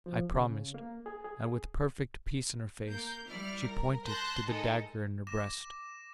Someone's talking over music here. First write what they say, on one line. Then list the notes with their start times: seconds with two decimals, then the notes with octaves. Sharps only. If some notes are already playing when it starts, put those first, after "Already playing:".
I promised, and with perfect peace in her face, she pointed to the dagger in her breast.
0.06 F3
0.34 C#3
0.74 A#3
1.06 G#4
1.25 G#4
2.89 A#3 A#4 G6
3.28 G3 E4 D5 F6
3.64 A#4
4.06 A5 C6 F#6 G6 A#6
4.46 G#3 D#4 A4 A#4 D#5
5.27 D6 A#6 E7